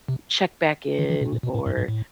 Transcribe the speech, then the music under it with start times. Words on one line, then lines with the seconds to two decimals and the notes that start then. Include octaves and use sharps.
check back in, or,
0.08 C3
0.99 D#3
1.10 E3
1.21 B2
1.32 A#2
1.43 B2
1.54 A2
1.66 G2
1.77 G#2
1.88 A2